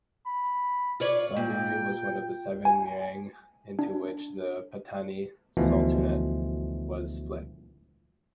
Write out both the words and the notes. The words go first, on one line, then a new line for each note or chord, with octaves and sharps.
Saiburi was one of the seven "Mueang" into which the Pattani sultanate was split.
B5
F4 C#5 D5
A#2 G5
G#5
D4
D2 B2 E3 F3